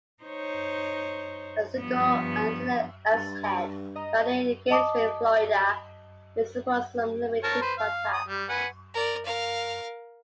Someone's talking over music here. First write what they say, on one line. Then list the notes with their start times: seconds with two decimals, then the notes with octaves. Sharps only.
A single 'Antillean axe head' found near Gainesville, Florida may support some limited contacts.
0.23 D#4 C5 C#5
1.78 G2 F3 B3
3.12 G2 A6
3.96 D#5 A#5
4.70 D#5 A5 D6 D#6
7.44 A#4 C#5 A5
7.62 B4 C5
7.79 F5
8.13 D#6
8.28 G3
8.50 B4 F#5 G#5
8.94 A#4 D5
9.25 A#4 F5